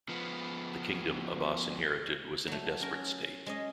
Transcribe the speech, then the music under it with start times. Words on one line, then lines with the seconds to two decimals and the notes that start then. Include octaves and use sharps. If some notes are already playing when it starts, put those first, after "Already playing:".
The kingdom Abbas inherited was in a desperate state.
0.09 F3 B3
2.48 F#3 A3
2.80 C#4 A#4
3.46 G#3 C#4 D#5